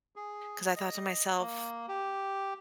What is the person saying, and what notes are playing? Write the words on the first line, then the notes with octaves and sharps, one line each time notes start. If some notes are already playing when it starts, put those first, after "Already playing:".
'cause I thought to myself,
G#4
D#5
A#3
G4